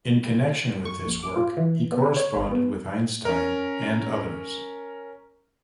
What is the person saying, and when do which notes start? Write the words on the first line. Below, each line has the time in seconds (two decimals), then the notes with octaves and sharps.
In connection with this work, he corresponded with Einstein and others.
0.85 C#6
1.05 A#1
1.23 D6
1.36 F4
1.57 E3
1.92 B3
2.17 C#5
2.36 G#1
2.51 B3
3.25 C#4 A#4